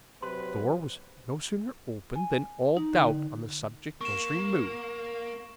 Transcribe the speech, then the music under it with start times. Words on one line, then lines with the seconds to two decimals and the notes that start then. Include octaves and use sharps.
The door was no sooner opened than all doubt on the subject was removed.
0.22 C3 F#3 B4 C6
2.16 G#5
2.77 D#4
2.93 D3
4.01 A#3 C#6 E7